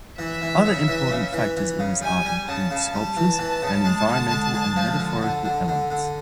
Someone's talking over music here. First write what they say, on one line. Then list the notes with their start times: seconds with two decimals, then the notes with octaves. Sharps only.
Other important factors in his art include sculptures, and environmental and metaphorical elements.
0.18 E3 E5
0.42 E3
0.65 C#3
0.88 E3
1.11 C#3
1.33 E3
1.57 E3
1.79 C#3
2.02 G3 G#5
2.25 G3
2.47 C#3 A5
2.71 C#3
2.94 G3 A5
3.17 E3
3.39 E3
3.62 C#3
3.85 G#3
4.08 D3
4.30 G#3
4.54 G#3
4.76 F3
4.99 D3
5.21 D3
5.45 D3
5.68 D3
5.91 D3